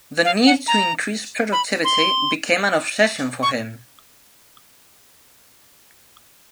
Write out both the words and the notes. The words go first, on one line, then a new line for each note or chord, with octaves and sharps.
The need to increase productivity became an obsession for him.
F5
F#5
A#5
B5
C6
C#6